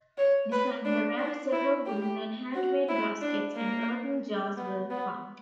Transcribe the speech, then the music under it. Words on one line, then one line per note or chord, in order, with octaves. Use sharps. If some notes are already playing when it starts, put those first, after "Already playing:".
Beside the ramp several wooden and hand-made baskets and earthen jars were found.
C#5
B4
D4
D4
E4
G4
F#4
E4
D4
A#3
B3
B3